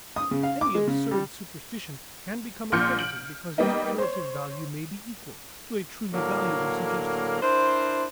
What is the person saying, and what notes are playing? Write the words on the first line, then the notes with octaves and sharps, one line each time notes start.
Any absurd superstition can become accredited because its curative value may be equal to a truly valuable suggestion.
D#6
C#3
F5
D6
G#3
C#3
G3
A#1 A#2 C6 F6 G6 C#7
D7 F#7
G3 A#3 B3 D#4
C5 C#5
A2 D3 F#3 A#3
D4 E4 A#4 C5